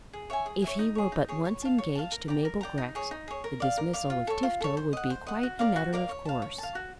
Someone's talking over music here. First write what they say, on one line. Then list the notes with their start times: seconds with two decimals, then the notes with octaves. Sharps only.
If he were but once engaged to Mabel Grex the dismissal of Tifto would be quite a matter of course.
0.13 G#4
0.30 C#5 E5 G#5
0.46 G#4
0.62 C#5 E5 G#5
0.79 D#4
0.95 G#4 C#5
1.12 D#4
1.28 G#4 C#5
1.45 C#5
1.62 F5 A5
1.78 C#5
1.95 F5 A5
2.12 A#4
2.28 D5 G5 A#5
2.45 A#4
2.61 D5 G5 A#5
2.78 D#4
2.95 G#4 C#5
3.11 D#4
3.28 G#4 C#5
3.44 A#4
3.60 D5 F5
3.77 A#4
3.93 D5 F5
4.10 F4
4.27 A4 C#5
4.43 F4
4.61 A4 C#5
4.77 C5
4.93 D#5 F#5
5.10 C5
5.27 D#5 F#5
5.43 F#4
5.59 A#4 D5 F5
5.76 F#4
5.93 A#4 D5 F5
6.09 C#5
6.25 F5 A5
6.42 C#5
6.58 F5 A5
6.75 F#4